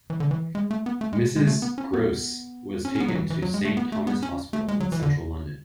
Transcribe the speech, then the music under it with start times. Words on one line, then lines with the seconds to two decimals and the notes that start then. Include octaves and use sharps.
Mrs Groce was taken to Saint Thomas' Hospital in central London.
0.10 E3
0.20 D3
0.31 E3
0.55 G#3
0.71 A3
0.86 B3
1.01 A3
1.13 G#3
1.36 G#3
1.47 A3
1.62 B3
1.78 C#4
1.93 B3
2.85 C#4
2.95 C#4
3.00 B3
3.08 F#3
3.15 E3
3.30 E3
3.42 F#3
3.54 G#3
3.65 A3
3.77 B3
3.92 A3
4.07 B3
4.23 C#4
4.53 A3
4.68 G#3
4.80 F#3
4.92 E3
5.03 D3